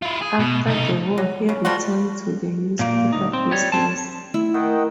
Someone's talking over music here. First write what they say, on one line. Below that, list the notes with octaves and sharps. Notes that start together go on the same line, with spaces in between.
After the war he returned to the newspaper business.
E4 F4
G#4
B2
C2 D#4
F#3
C#3
F3 G3 F4 F#4
A#2 A#3
D2 D#4
C4
G3 C#5
C4 A5
A3 E4
D#3 D#5 F#5 G5